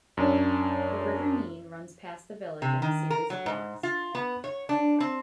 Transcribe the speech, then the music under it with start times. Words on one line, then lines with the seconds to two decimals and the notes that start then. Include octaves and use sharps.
The River Nene runs past the village in a series of locks.
0.17 F#2 C#4 D4
2.62 C3
2.82 D#3
3.10 A#4
3.30 F#3
3.46 G#2
3.83 F4
4.15 B3
4.44 C#5
4.69 D4
5.00 C4